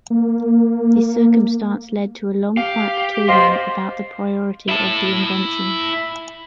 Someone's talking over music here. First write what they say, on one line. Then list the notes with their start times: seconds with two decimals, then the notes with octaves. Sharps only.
This circumstance led to a long fight between them about the priority of the invention.
0.10 A#3
2.57 G4 F5
3.29 B4 C5 D#5 F5
4.69 E4 A5